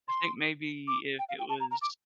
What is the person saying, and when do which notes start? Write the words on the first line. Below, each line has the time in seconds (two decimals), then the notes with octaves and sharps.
I think maybe if it was
0.08 C6
0.88 D6
1.19 G5
1.29 F5
1.39 G5
1.49 A5
1.60 A#5
1.71 A#5
1.82 D6